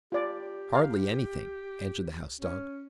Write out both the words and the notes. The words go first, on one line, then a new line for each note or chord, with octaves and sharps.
"Hardly anything," answered the House Dog.
F4 G4 D5
F5
C#4